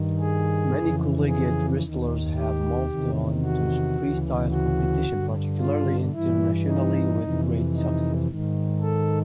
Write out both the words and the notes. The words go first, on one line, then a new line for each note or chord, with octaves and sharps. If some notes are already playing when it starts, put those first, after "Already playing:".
Many collegiate wrestlers have moved on to freestyle competition, particularly internationally with great success.
Already playing: G2 D#3
G#4
F2 C#3 E3
G#4
D#2 D#3
G4
E2 C3 D#3
F#4
D2 C#3 E3
F#4
G2 D3
F4
G2 E3 E4
D#4
F2 C3 E3
D#4
G#2 D#3
A4